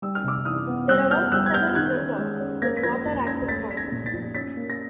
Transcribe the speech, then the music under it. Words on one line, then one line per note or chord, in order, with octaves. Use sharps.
There are also several resorts with water access points.
G3 E6
F6
C3 D6 E6
E3 D#6 F6
B3
G3 E6 F#6
B3 F6 G6
G3 E6 F#6
G#6
B3 F6 G6
D#3 F#6 G#6
C#4
G#3
C#4
A#3 G#6 A#6
B6
F3 G#6 A#6
F3
C#4 G#6 A#6
A3 A6 B6
C#4 B6
G#6 A#6
A#2
A6 B6
F3
C#4 A6 B6
A#3
A#6